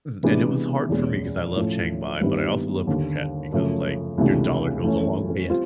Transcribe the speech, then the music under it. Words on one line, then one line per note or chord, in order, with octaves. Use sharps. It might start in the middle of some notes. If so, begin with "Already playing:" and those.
Mhm, and it was hard for me 'cause I love Chiang Mai, but I also love Phuket because, like, your dollar goes a long way at
C3 E3 G#3 B3 D4
E2 B2 G#3 C#4
A2 F3 A3 C#4
G2 D#3 G3 B3 E4
D#2 D3 G3
F#2 C#3 F3 A3
C#2 C3 E3 A3 D4
E3 A3 C#4
G3 C4 F4